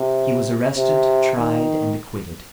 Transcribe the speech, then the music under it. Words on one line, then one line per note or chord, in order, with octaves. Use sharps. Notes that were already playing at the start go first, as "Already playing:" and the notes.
He was arrested, tried, and acquitted.
Already playing: C3
C3
D#3